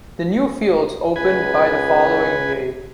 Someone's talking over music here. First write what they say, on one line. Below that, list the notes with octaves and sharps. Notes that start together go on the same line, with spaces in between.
The new fields opened by the following yea.
C#2 B4 G#5